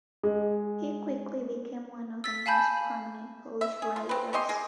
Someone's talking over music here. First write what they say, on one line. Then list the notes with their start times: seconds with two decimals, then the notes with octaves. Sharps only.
He quickly became one of the most prominent Polish writers.
0.23 G#3
2.24 E6 A6 B6
2.46 F5 G#5 A5 B5 G6
3.61 E5
3.82 G#4
3.96 F4
4.09 C4 B4
4.33 C#4 G4 D#5 C6
4.49 G#4 A#4